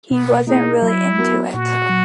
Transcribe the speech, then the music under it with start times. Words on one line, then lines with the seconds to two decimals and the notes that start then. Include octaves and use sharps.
He wasn't really into it.
0.11 B2 B3
0.47 A#3 D#4 E4 G#4
0.82 F#3 E4
1.18 B3 F#4 A#4
1.53 A#2 F#4
1.89 F#3